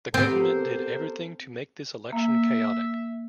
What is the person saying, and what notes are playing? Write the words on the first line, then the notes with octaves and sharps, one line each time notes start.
The government did everything to make this election chaotic.
B3 C4 G4 A4 A#4 C5
A#3 E5